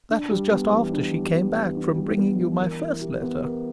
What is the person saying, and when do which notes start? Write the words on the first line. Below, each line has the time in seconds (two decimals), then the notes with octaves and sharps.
That was just after she came back from bringing you my first letter.
0.10 D4
0.31 G3
0.51 B3
0.72 E3
0.93 D4
1.14 G3
1.34 B3
1.56 E3
1.77 D4
1.97 G3
2.18 B3
2.39 E3
2.60 A#4
2.81 E4
3.01 G4
3.22 B3
3.43 A#4